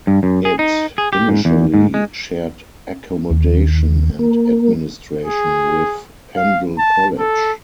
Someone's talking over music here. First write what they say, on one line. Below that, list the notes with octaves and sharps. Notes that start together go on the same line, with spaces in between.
It initially shared accommodation and administration with Pendle College.
G2
F#2
G#4
D#4
G#4
G4
G#2
E2
G#2
G#3
D#2
A#3
G#4
F5
A5
A4